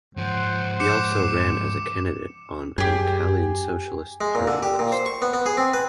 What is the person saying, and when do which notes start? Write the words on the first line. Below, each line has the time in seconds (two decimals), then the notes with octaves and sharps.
He also ran as a candidate on an Italian Socialist Party list.
0.17 G#2 F3 C5 F#5
0.80 D6 C#7 E7
2.78 F#2 G4 G#4
4.21 G#3
4.35 A#2
4.47 D3
4.63 G4
4.79 A#2
4.92 C5
5.06 C#6
5.22 B3
5.34 B3
5.46 G#4
5.57 C4
5.74 B4